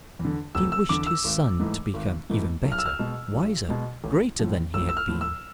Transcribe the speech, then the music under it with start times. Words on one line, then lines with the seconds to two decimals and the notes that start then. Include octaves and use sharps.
But he wished his son to become even better, wiser, greater than he had been.
0.19 E2
0.25 D3
0.55 F1 E6
0.72 E6
0.89 E2 D3 D6
1.06 E6
1.24 G#1
1.60 G#2 E3 A3
1.94 G#1
2.30 G#2 E3 A3
2.65 B1
2.72 F6
2.79 E6
2.86 F6
2.99 B2 G#3
3.34 B1
3.69 B2 G#3
4.04 A1
4.39 A2 F3
4.74 A1 E6
4.89 E6
4.97 F6
5.08 A2 F3
5.21 E6